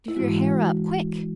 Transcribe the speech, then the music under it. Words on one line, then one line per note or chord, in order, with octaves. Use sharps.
"Do your hair up--quick!"
E4
G#2 E3 G#3 F#4